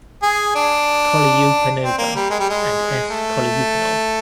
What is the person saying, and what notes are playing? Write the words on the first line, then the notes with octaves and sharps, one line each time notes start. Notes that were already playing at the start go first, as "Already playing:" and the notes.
Kolyupanova, and S. Kolyupanov.
G#4
D4
C4
A#3
G3
G#3
G3
G#3
A3